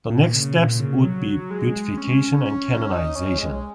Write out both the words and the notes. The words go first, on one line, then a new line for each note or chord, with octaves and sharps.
The next steps would be beatification and canonization.
A#2
C#3
A#2
C#3
F#3
G#3
C#4
C#4
D#4
C#4
G#3